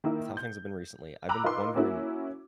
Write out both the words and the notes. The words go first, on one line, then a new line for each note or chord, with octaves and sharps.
with how things have been recently, I've been wondering,
D#3 A#3 E4
G6
A#5 B5 D6 E6 F#6
D#4 F4 A#4 B4 B5 C6
A#3 C#4 E4 F#4